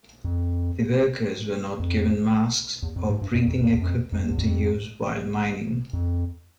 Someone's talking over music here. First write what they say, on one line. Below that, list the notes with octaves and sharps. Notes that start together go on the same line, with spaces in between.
The workers were not given masks or breathing equipment to use while mining.
F2
F2
E2
F2
G#2
G2
F#2
F2
F2
E2
F#2
F2
F2
E2
F2
F2